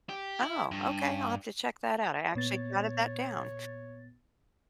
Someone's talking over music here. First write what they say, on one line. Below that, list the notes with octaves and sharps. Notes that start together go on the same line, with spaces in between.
Oh, okay. I'll have to check that out. I actually jotted that down.
G4
E4
G2
A#2 B3 C#5 A6